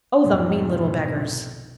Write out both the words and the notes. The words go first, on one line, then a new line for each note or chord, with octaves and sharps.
"Oh, the mean little beggars!"
F1 B1 G#2 B2 D#3